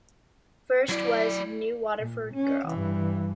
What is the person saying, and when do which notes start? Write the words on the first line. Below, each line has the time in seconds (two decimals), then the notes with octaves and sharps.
First, was "New Waterford Girl".
0.89 F#3 E4 D5
1.97 A#2
2.34 C#4
2.67 G2 E3